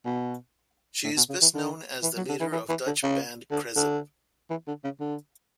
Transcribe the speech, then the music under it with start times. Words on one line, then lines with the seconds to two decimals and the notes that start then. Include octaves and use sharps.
She is best known as the leader of Dutch band Krezip.
0.06 B2
1.04 A2
1.17 B2
1.29 C#3
1.42 E3
1.54 D3
2.03 E3
2.17 F#3
2.29 D3
2.40 E3
2.53 E3
2.69 E3
2.86 D3
3.03 C#3
3.51 D3
3.76 D3
4.50 E3
4.68 D3
4.84 C#3
5.00 D3